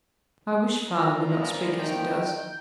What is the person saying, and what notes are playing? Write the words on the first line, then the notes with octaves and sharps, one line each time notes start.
'I wish father would not speak as he does.
A#2 E3 F3 A#5
D#3 G5